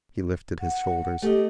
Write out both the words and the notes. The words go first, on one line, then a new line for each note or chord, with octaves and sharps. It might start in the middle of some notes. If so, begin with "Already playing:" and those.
He lifted his shoulders.
F#5
A3 G4 D#5